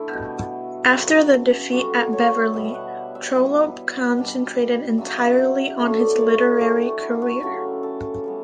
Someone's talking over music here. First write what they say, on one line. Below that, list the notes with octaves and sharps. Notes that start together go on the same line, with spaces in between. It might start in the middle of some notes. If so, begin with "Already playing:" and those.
After the defeat at Beverley, Trollope concentrated entirely on his literary career.
Already playing: D3 A3 D4 E4
B2 G3 B3
C#3 F#3 B3
D3 G3 D4 F#4
C#5
B2 G3 B3 E5
F#5
E5
E3 G3 B3
B2 G3 D4
C#3 F#3 B3 D4 E5
F#5
E5
E5
D3 A3 C#4 E5
D5
C#5
A4
E3 A3 D4 G4
F#4
E4
F#4
C#3 F#3 A3 C#4 G4
A4
E3 G3 B3